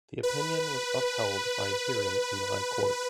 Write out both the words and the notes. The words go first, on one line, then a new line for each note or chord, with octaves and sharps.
The opinion was upheld by a hearing in the High Court.
B4